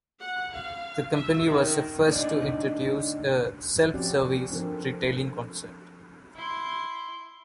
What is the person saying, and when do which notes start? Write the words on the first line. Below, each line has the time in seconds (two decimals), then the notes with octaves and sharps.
The company was the first to introduce a "self-service" retailing concept.
0.20 F#5
0.54 F5
1.12 E5
1.46 D#3
2.07 D2 A2 D4 D#4 C#5 D5
3.94 F3 C4 C#4 F#4 G4 D5
4.50 F3 C4 D4 A4 A#4
6.35 E4 C6